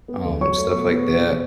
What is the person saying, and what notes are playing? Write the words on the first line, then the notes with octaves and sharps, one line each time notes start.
um, stuff like that,
B3
D2
F#3 C#5 C#6
A3
B2
B3
B2
B2